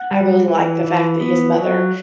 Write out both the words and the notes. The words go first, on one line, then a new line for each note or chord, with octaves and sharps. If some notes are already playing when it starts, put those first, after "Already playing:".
I really liked the fact that his mother
Already playing: F#5
G3
E3
E3
B3
F#3